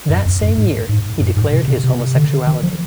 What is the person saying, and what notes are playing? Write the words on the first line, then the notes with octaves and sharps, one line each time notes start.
That same year, he declared his homosexuality.
G2
F2
G2
G#2
G#2
G2
G#2
C3
C3
C3
D3
D#3
F3